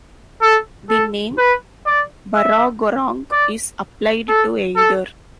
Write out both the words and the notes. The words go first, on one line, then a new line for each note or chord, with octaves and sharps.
The name "Burragorang" is applied to either.
A4
A4
B4
D5
E5
D5
A4
A4